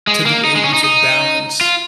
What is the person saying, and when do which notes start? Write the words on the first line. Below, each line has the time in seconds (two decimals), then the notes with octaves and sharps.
to be able to balance
0.07 G#3
0.26 A#3
0.45 D#4
0.55 G#3
0.64 C#4
0.74 D#4
0.84 D#4
1.61 F4